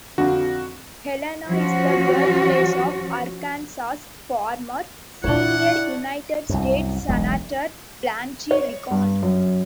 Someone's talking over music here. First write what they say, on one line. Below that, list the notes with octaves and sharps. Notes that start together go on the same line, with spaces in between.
Helena is the birthplace of Arkansas' former Senior United States Senator Blanche Lincoln.
F2 D3 F#4
F3 C#4 F#4
A#2 E3 D4 E4 C#5 F#5
C2 F#2
E1 B1 G#3
C#5
G2
F#2